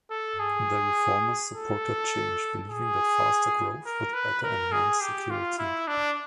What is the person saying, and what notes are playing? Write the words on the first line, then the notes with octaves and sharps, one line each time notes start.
The reformers supported change, believing that faster growth would better enhance security.
A4
G#4
A4
G#4
A#4
B4
A#4
G#4
G4
F4
E4
D4